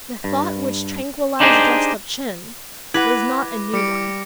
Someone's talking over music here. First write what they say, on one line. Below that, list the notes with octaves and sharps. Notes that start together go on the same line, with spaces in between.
The thought which tranquillized Rostopchin was not a new one.
G2
D4 D#4 G4 G#4 B4 C5
E4 B4 F#5 D6 G#6 A#6
G3 D6 C#7 D7